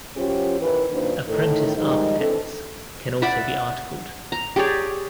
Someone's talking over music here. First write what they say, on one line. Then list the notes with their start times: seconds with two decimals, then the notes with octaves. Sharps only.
Apprentice architects can also be articled.
0.16 F#2 F#3 C#4 F4 G4 C5
0.60 D#2 E3 B4
0.92 F#2 A#2 D#3 D4 B4 C5
1.27 A2 D#3 A4
1.76 G#2 D#3 F3 G3 G#3 D#4
2.19 E3 C4 D4 A4
3.22 D5 E5 F#5 B5
4.32 A#5
4.56 G4 G#4 C#5 D5